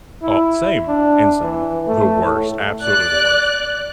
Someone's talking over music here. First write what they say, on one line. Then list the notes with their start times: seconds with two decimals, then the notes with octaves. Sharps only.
Oh same, insane, the worst, absolutely the worst.
0.23 E4
0.88 D4
1.43 E3
1.87 A3
2.22 A2
2.83 D5 F#6